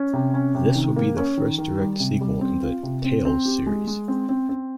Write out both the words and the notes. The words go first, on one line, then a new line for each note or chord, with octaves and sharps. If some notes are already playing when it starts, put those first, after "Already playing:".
This would be the first direct sequel in the "Tales" series.
Already playing: C#4
C3
C#4
C3
D#3
A#3
C#4
D#3
D#3
G3
C3
G3
C4
F4
C3
C4
C4
G4
G#3
G#3
C4
C4
C4